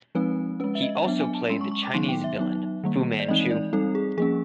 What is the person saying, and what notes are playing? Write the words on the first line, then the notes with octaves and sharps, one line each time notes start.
He also played the Chinese villain Fu Manchu.
F3 G#3 C4 D#4 B4
G#3 C#4 B4
E5
D#5
F#3 B3 D4 E5
G#5
A5
G#3 C#4 C6
C#6
C#6
D6
D#3 F#3 B3 D#4 C6
G5
E5
F#3 B3 D#4
D#3 G3 A#3
D5
E3 G#3 C4 D#4 D#5
D5
G3 C4 D#4 A4
G#4
F3 A#3 C#4 G#4